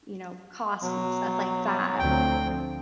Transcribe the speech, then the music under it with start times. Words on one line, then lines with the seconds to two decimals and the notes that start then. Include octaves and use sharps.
you know, cost and stuff like that.
0.82 B2 F#3
1.99 D2 F3 C4 G5